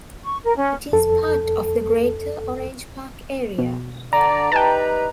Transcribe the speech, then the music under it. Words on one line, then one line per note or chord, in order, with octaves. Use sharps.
It is part of the greater Orange Park area.
C#6
A#4
C#4
F2 A4
B2
D3 D5 A#5
G3 D#4 B4 G5 A5